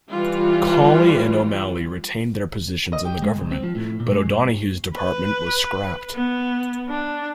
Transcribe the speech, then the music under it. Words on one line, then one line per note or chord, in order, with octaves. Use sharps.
Colley and O'Malley retained their positions in the government, but O'Donoghue's department was scrapped.
E3 G3 F4
D#5
G4
G#3
C2
C4
F3
A2
A#2
G#3
G2
B4
B3
D4